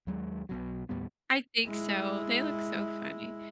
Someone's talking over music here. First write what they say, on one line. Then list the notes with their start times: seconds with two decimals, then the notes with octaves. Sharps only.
I think so, they look so funny.
0.07 D#2 F#3 G#3
0.49 B1 B2 F#3
0.89 D#2 A2 G3 B3
1.65 G#3 E4